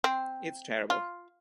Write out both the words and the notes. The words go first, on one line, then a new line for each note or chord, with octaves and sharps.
It's terrible.
C4
F4